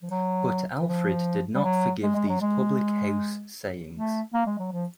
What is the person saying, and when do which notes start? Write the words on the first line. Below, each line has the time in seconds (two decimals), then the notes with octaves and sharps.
But Alfred did not forgive these public-house sayings.
0.02 F3
0.10 F#3
0.80 E3
0.88 F3
1.55 G3
1.64 F#3
2.03 G#3
2.15 G#3
2.29 F#3
2.41 G#3
3.95 A3
4.34 A#3
4.46 G#3
4.59 F#3
4.72 F3